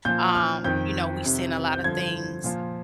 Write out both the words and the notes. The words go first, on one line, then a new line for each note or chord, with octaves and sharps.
Um, you know, we've seen a lotta things
A#2 F3 G6
F6
F2 D#3 G6
F2 C3 D#3
G6
G2 D3 F3 G#6
A#2 F3